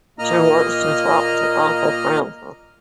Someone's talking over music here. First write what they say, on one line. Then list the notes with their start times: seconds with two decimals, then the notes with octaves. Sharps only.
She wants to talk to Uncle Francis.
0.19 A#2 A#3 D#5 A#5 F6